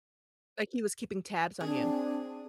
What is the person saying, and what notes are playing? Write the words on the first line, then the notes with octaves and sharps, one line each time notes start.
Like he was keeping tabs on you.
C4 D4 G#4